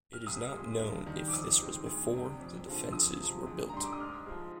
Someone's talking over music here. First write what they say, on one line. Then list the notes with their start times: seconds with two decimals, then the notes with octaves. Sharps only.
It is not known if this was before the defences were built.
0.13 F6
0.26 C2 D#6
0.53 A#2 G#3
0.79 G2
1.06 D#3 G3
1.28 D6
1.32 F2 D#6
1.59 D#3 G#3
1.86 D2
2.12 C3 G3
2.40 F2
2.66 D3 F3 G#3
2.92 F2 D#6
3.19 C3 F3 G#3
3.46 D2
3.69 A#5
3.74 D3 G3 C6
3.84 D6
3.93 D#6
4.00 G#2 F6
4.26 F3 G#3